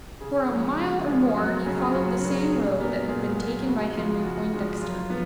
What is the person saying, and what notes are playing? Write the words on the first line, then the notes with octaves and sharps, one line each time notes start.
For a mile or more he followed the same road, that had been taken by Henry Poindexter.
C#3 G#4
F3 G#3 C#4
C#3
F3 G#3 C#4
F#2 F#4
C#3 F#3 C#4 G#4
F4
F#2 F#4
F#4
C#3 F#3 C#4
G#4
A#2 G#4
F#3 B3 A#4
A#2 G#4
F#3 B3
C#3 F#4
F3 G#3 F4
C#3 F#4
F3 G#3
F#2 F4
F3 B3